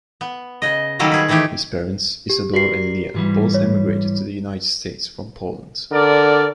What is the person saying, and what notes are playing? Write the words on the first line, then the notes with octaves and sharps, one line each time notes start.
His parents, Isidor and Leah, both emigrated to the United States from Poland.
B3
C#3 D#5
D#3 F#3 G3 A#3 A4
G#4 B4
D#3 E3 A3 G4 G#4
G4
F#4 G4 A#4 D5 C7
G#2 E3 G3
C#5
D3 A#4 D5